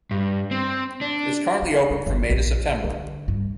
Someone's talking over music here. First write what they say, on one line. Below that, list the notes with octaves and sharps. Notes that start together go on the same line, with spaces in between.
It is currently open from May to September.
G2
C4
D4
C#4
A#3
G1
A#1
D3
G2